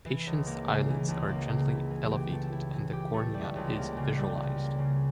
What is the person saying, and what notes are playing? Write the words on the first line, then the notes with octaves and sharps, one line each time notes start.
Patient's eyelids are gently elevated and the cornea is visualized.
E3
C#2
A#3
C#3
E3
C#2
A#3
C#3
E4
E3
G4
A3
E4
E3
G4
A3
G3
C#2
A#3
C#3
G3
C#2
A#3
C#3